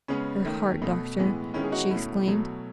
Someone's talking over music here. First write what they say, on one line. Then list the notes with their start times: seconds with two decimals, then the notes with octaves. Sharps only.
"Her heart, doctor!" she exclaimed.
0.08 C#3 G#3 B3 C#4
0.45 D#3 A3
0.82 B2 A3
1.18 A2 E3 G#3 B3
1.54 D#3 G#3 B3 C#4 E4
1.64 G#4
1.72 D#4 F#4
1.91 B2 A3 C#4 E4
2.27 B2 F#3 A3